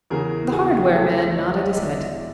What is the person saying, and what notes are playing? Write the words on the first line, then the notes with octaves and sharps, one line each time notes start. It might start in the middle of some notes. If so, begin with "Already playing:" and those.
The hardware man nodded his head.
E2 C#3 E3 G#4 A#4
F#4 G#4
G4
G#4
E2 C3 E3 A3 C#4 G4 A4
C#5 D#5
C#5 D#5
D#5
E2 B2 G#3 D5 E5